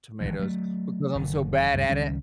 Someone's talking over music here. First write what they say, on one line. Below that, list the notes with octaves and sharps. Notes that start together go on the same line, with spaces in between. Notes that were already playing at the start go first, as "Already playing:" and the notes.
tomatoes because I'm so bad at it.
G#1 F2 E3 G#3
F#3 A3
F#1 D3 D#3
C#2 G2 A#2
C#2 D#3 G3 C#4